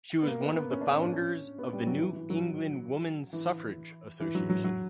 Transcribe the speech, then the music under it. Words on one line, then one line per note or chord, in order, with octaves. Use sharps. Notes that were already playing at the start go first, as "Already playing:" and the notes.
She was one of the founders of the New England Woman Suffrage Association.
B3
A#3
B3
B3
C#4
D4
C#4
D4
C#4
B3
G3
F#3
E3
E3
F#3
E3
E3
F#3
F#3
F#3